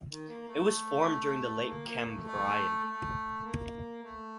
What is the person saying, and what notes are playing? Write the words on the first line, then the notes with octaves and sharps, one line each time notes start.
It was formed during the Late Cambrian.
D#3
A#3
A3
A#3
A#3
A3
A3
A3
A#3
A3